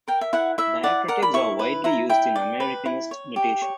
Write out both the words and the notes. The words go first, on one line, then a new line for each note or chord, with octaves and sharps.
Diacritics are widely used in Americanist notation.
A#4 G5
E5
E4 F#5
E4 E5
D5 F#5
A#4 F#5
B5
E4 C#6
B4
E4 A#5
E4 G5
D5
B4
E4
C#5
G4
C#5